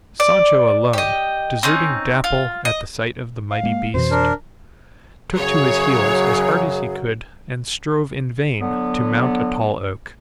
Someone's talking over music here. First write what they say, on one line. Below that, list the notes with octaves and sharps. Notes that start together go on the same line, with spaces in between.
Sancho alone, deserting Dapple at the sight of the mighty beast, took to his heels as hard as he could and strove in vain to mount a tall oak.
D5
G4 D#5
C4 C#4 D#4
F4
D#5
F5
G#3 A#3
F2 B2 E3 C5
D4 A#4
F#2 C#3 F#3 G#4 C#5
D3 F#3 B3